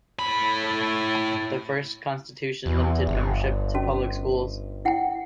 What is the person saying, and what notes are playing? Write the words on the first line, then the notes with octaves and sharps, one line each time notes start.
The first Constitution limited membership to public schools.
A2 B5
E2
G1
C#4 F#4 A5
E4 F#5 G5